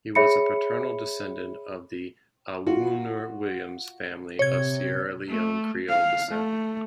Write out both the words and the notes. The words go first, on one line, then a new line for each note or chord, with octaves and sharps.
He was a paternal descendant of the Awoonor-Williams family of Sierra Leone Creole descent.
G#4 C#5 E5 B5 C#7
F4 F#4 F#5
C3 C#5 G#6
A3
F5
A3